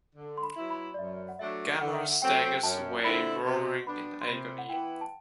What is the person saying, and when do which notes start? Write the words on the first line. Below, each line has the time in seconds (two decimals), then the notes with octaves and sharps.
Gamera staggers away, roaring in agony.
0.16 D3
0.37 C6
0.43 B5
0.57 F#3 B3 E4
0.70 B5
0.94 D5
0.99 F#2 E5
1.29 F#5
1.39 F#3 A3 D4 E5
1.81 D3 F#5
1.93 E5
2.05 F#5
2.22 F#3 A3 C4 G5
2.63 F#2 A5
3.04 D3 G3 C4 E4 B5
3.45 B2 C6
3.87 G3 B3 D4 B5
4.21 C6
4.28 C3 B5
4.58 F#5
4.69 E3 B3 E4 G5
5.01 A5